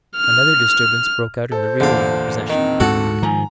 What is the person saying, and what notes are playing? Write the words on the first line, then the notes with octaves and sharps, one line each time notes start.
Another disturbance broke out in the rear of the procession.
F6
A4 C5
E2 G2 A#2 D3 F5
D#3 C4
D2 G#2 F#4 A4 F#5
G#2 D#3 F3 G#5 A#5